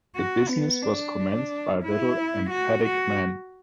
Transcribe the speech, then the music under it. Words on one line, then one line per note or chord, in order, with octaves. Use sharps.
The business was commenced by a little emphatic man.
F#4
B3
D4
E4
F#4
F#4